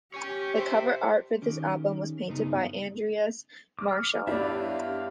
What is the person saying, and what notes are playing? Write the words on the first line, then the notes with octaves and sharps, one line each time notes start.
The cover art for this album was painted by Andreas Marschall.
G4 C#5 G#5
C5 E5 G5
D#3 C#4 G4
G2 C#3 B3 D#4 G#4 A#5
D6 D#6 F6
G2 B3 E4 G4 C#5 D5 E5 F5